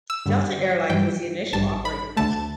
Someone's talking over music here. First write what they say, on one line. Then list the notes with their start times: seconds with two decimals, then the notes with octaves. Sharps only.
Delta Air Lines was the initial operator.
0.10 E6
0.26 G2 D3 G3
0.89 G2 E3 G3 G5
1.53 A1 G2 G3 A5
1.85 B5
2.17 D2 D3 A3 A5